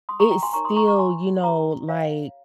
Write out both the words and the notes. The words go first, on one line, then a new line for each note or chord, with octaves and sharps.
it still, you know, like,
C6 D#6
A#5 C#6
G5 A#5
G#5 C6
D#4 A#4 C#5 A#5 C#6
C6 D#6
A#5 C#6
A#5 C#6
G#5 C6
C#4 G4 A#4 C#5 G5 A#5
C#5 F5